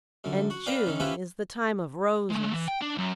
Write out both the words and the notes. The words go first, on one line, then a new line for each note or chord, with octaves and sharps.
And June is the time of Roses.
F#2 D3
F#4
C4 A#4 B4 D5 F5 G5
D#3 E3 C#4
C#4 E4 F4 G4 B4 C5
G#3 A3
E3
G5
D4
F#2